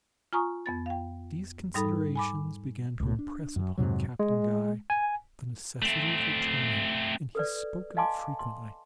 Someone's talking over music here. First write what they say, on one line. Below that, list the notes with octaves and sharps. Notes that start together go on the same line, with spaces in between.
These considerations began to impress upon Captain Guy the necessity of returning, and he spoke of it frequently.
F4 G#5 A#5 C#6 D#6
F2 B3 A6
F5 G5
G#2 G3 D#4 A4 B5
G#5 B5 D6
C#2 A2
D4
F#2
F2 G#2 C3 F#3
G#3
G#5
A3 C4
A4 B4 D5
D#5 F5 G#5 A5 C6 D6
C6